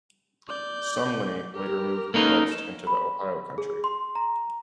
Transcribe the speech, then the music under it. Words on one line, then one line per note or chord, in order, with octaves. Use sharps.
Some Lenape later moved west into the Ohio Country.
D5 G6
G4 A#4
A#3 C#4 D#4 A4 B4
E7
B5
G#4
C6
A#5